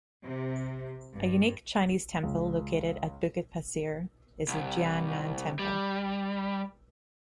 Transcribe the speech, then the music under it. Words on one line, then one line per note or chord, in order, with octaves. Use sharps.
A unique Chinese temple located at Bukit Pasir is the Jian Nan Temple.
C3
G2
C#2
C2
G3